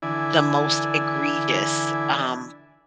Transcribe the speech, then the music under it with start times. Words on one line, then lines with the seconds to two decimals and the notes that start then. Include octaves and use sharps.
the most egregious, um,
0.02 D3 E3 E4 D5 G#5